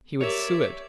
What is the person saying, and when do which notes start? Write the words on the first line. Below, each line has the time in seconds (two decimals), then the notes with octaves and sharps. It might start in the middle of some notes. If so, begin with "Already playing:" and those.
He would sue it.
0.21 G4 A#4 C#5 D5 E5